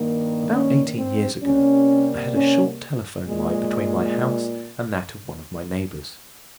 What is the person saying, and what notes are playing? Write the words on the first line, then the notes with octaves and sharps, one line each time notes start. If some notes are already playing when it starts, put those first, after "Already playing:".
About eighteen years ago I had a short telephone-line between my house and that of one of my neighbors.
Already playing: G2 D#3 A#3
C#4
C4
C3 G3 A#3 C#4
C#4
A#2 G#3